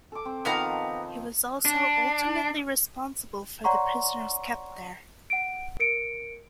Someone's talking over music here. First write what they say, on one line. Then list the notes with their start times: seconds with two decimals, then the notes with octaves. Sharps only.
He was also ultimately responsible for the prisoners kept there.
0.12 A4 D6
0.25 C4
0.45 D#3 F3 B3 D#4 F5 A#5
1.65 D4
3.64 C#5 D5 F#5 A#5 C6 C#6
5.30 F#5 D7
5.80 A#4 C#7 D7